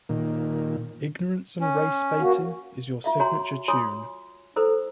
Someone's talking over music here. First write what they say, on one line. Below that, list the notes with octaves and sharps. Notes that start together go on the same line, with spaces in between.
Ignorance and race baiting is your signature tune.
A#2 D#3
C#4
A#3 F#4
F4 E5 F5
F#4 C#5 G#5 A#5 C6
F4 C#5 G#5 C6 D#6
E4 A4 C5 E6